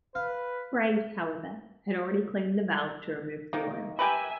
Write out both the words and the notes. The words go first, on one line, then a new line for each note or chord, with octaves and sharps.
Brade, however, had already cleaned the valve to remove the oil.
B4 F5
C3 D#3 A#3
G4 A#4 B4 E5 G#5